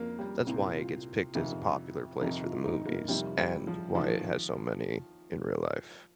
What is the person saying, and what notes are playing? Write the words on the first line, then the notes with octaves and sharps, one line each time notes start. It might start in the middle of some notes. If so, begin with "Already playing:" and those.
that's why it gets picked as a popular place for the movies and why it has so many in real life.
Already playing: F2 A#3
G3
C2 A#2 C4
F4
F2 C3 D#3
F2 C3 D#3 D#4
F4
D#4
A#3
F2 C3 D#3 G3
G3
F3
D#3 F3